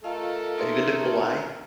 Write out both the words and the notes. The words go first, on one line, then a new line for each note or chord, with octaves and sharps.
Have you been to Kauai?
A3 F4 A4 A#4 D#5 F5
D#4 E5 C6